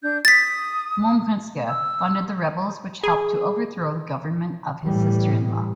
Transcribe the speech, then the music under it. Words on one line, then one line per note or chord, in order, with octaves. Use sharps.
Montpensier funded the rebels, which helped to overthrow the government of his sister-in-law.
D4 G6
D#6 A6 B6
E6
G#4
A2 E3 G3